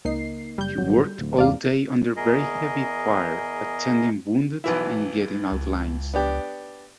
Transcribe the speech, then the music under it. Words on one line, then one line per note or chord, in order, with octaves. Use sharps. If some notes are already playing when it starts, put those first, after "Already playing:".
He worked all day under very heavy fire, attending wounded and getting out lines.
C#2 A#3 D#4 C7
F#1 G3 G6
G#1 F#3
D1 D2
E2 G#2 D5 F5
E2 G#4 A#4 D#5
B1 E3 E4
C#2
B3 D4 G4